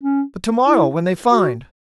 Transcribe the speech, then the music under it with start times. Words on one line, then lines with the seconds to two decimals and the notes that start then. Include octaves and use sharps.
"But tomorrow when they find...."
0.03 C#4
0.67 E4
1.31 F#4